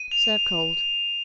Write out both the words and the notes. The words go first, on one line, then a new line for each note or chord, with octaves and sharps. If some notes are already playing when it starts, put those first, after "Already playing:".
Serve cold.
Already playing: D#7
F7
F7